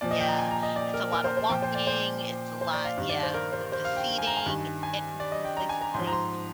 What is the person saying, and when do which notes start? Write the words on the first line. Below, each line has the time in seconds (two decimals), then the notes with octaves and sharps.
Yeah, it's a lotta walking, it's a lot yeah, with the seating, eh and from place to place.
0.01 A#2 F3 D5
0.11 D#5
0.20 G5
0.29 A#5
0.38 G#5
0.51 A#5
0.63 D#5
0.76 D5
0.94 A#4
1.12 A#4
1.24 C5
1.37 C5
1.50 A#2 F3 G5
1.62 C5
1.75 D5
1.87 C5
2.61 C5
2.73 D5
2.85 F5
2.97 G2 D#3 F5
3.09 D5
3.23 C5
3.34 A#4
3.53 C5
3.72 C5
3.85 F5
3.97 G5
4.09 G5
4.18 G#5
4.27 A#5
4.37 G#5
4.46 G2 D#3
4.83 G#5
5.20 D5
5.32 D#5
5.45 G5
5.57 A#5
5.69 G#5
5.81 A#5
5.94 G#2 F3 C6
6.07 A#5
6.13 C6